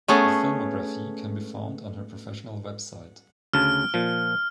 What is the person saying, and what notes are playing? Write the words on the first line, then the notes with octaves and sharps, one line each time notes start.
A filmography can be found on her professional website.
A3 B3 C#4 G#4 A5
D2 C#3 A5 F6
A#2 F3